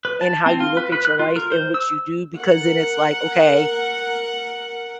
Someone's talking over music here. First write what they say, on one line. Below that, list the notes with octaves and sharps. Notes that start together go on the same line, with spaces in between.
in how you look at your life and what you do, because then it's like, okay,
B4
A5
C4
F4
B4
B4
F#6
F4
A#4
C5
E6
A#4 F#5